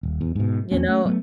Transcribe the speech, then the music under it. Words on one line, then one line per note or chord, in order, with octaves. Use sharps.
You know
D#1
E2
G#2 B2
E2 A#3 C4 C#4
A3 C#4
F#3 A3 B3